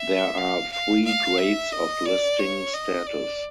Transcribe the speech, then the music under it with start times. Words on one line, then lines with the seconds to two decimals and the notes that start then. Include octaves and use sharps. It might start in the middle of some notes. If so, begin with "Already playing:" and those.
There are three grades of listing status.
Already playing: E5
0.37 F5
0.72 F5
1.05 F5
1.38 E5
1.72 D#5
2.06 D5
2.39 C#5
2.74 D#5
3.06 D5